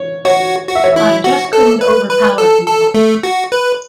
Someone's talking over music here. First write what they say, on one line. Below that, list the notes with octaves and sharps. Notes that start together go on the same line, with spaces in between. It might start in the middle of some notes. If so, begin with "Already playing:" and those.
I just couldn’t overpower people.
Already playing: C#5
F#4 C#5
F#4
E5
C#5
E4 E5
F#4
A4
B4
B4
A4
A4
A3
F#4
B4